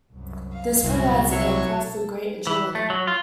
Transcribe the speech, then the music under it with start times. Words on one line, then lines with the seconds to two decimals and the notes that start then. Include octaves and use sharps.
This provides the aircraft with great agility.
0.11 C2 F#2
0.51 F5
0.83 C2 F#2 A#2 E4 F#4
1.31 B1 F#3 E5 C#6 G#6
1.73 A4
2.47 E3
2.75 A3
2.90 F#3
3.07 F4